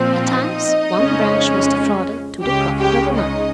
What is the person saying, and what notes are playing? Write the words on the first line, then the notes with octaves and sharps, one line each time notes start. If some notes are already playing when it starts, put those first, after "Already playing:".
At times one branch was defrauded to the profit of another.
Already playing: A#2 F3 C4
D#4 D#5
F2 C#3 G#3 C#4
C#2 C#3 G#3 C#4 G4 G5
G4 G5
D#4 D#5